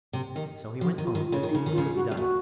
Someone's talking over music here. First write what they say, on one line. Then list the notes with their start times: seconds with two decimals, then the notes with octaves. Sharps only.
So he went home to think what could be done.
0.13 C3
0.36 D#3
0.81 F3 F#4
0.98 D#3
1.04 F4
1.15 D#3
1.27 F4
1.32 C#3
1.43 D#3
1.50 D#4
1.55 C#3
1.66 D#3
1.72 F4
1.78 C#3
1.95 F#4
2.11 C3
2.17 A#2 F#4